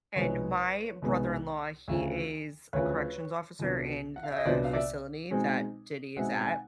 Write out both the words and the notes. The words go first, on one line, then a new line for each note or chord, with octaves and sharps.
And my brother-in-law, he is a corrections officer in the facility that Diddy is at,
C2 B2 G#3 B3 D#4 B4 C#5
C2 B2 G#3 B3 D#4
D2 C#3 F3
D2 C#3 F3 B4 C#5
C2 A#2 F#3 B3 D4
F#5
F5
E5
D#5
C2 A#2 F#3 B3 D4 C5 D5
F5
D5 E5
B2 G#3 C4 D#4
B2 G#3 C4 D#4 E5 F#5
G5
F#5 G#5